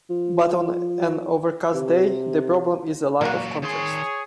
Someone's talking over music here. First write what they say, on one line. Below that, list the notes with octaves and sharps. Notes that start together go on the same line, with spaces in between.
But on an overcast day the problem is a lack of contrast.
F3
C3
A#2 F#3 A#3 F#4
D#3 G#4 C#5 C6